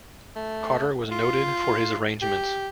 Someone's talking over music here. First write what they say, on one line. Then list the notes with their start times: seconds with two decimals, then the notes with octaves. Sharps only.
Carter was noted for his arrangements.
0.36 A3
1.11 F4
2.22 G4